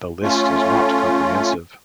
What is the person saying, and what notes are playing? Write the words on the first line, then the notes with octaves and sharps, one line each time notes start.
The list is not comprehensive.
A3 C#4 F4